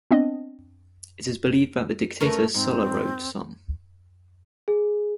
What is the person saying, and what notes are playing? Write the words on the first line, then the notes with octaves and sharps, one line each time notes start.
It is believed that the dictator Sulla wrote some.
B3 C4 D4 D#5
A3 C#4 A#4 B4
G#2 C4
G#4